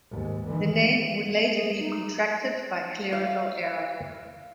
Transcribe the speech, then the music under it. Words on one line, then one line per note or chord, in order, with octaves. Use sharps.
The name would later be contracted by clerical error.
D#2 G#2
D#3 E3
E5
G#4
D#4
F5